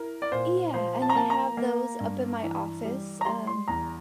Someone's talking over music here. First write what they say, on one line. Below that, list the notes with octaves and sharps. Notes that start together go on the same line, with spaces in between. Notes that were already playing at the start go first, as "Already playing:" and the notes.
Yeah, and I have those up in my office, um,
Already playing: E4 A#4
D5
A#2 C5
F3 C5
A5
A#5
A#3 A5
A#5
A#3
G2
E3
G3
A#5
G3 C6
C6
E2 A#5